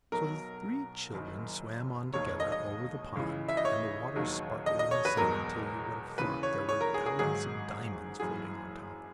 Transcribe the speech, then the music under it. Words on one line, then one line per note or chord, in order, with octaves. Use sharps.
So the three children swam on together over the pond, and the waters sparkled in the sun, until you would have thought there were thousands of diamonds floating on top.
B1 B2 F#3 A#4
F#1 F#2 D#3
E1 D#2 D#3 C#5
C#5
D#5
D#5
C#2 C#3 E3
E5
D#5
C#5
E1 D#2 D#3 F#3
D#5
D#5
C#5
B4
E1 E2 B2 F#3 A#4
D#2 C#3 E3 B4
C#5
C#5
A#4
G#4
G#4
G#1 G#2 D#3 F#3 G#4
F#1 F#2 E3 G#4